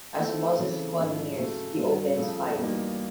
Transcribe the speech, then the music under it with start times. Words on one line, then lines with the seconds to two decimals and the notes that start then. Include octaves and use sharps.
As Bozz's squad nears, he opens fire.
0.18 F3 A3 C4 E4
0.58 C#3 E3 A3 C4
0.97 G#2 F3 A3 C#4 E4
1.37 C#3 F#3 A3 C#4
1.76 G2 D3 F#3 A3
2.16 C#3 F3 A3
2.56 E2 B2 G3 A#3 D#4